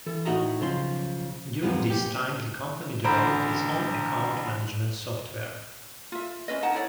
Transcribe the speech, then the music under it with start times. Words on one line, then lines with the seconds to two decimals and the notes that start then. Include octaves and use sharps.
During this time, the company developed its own account management software.
0.06 E3 A4
0.25 A2 D#4 F#4 D#5 E5 A#5
0.60 B1 C#3 F3 C6
1.62 F#2 C3 F3 G#3 B3
1.90 A#2 G4
3.04 A1 D3 C5 A#5 B5 D7
6.12 F4 E5
6.48 C#4 B4 D#5
6.62 D#4 F#5 A5
6.74 E4 C#5 D5 F#5